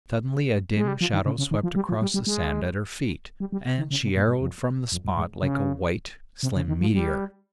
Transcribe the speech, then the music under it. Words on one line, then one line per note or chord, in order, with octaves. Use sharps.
Suddenly a dim shadow swept across the sand at her feet, and she arrowed from the spot like a white, slim meteor.
G#3
G3
F3
D#3
C#3
C#3
D#3
F3
G3
F3
G3
G3
G#3
G3
G3
D#3
C#3
C3
A#2
G#2
F2
F2
G2
G#2
C#3
C3
C#3
D#3
F3
G3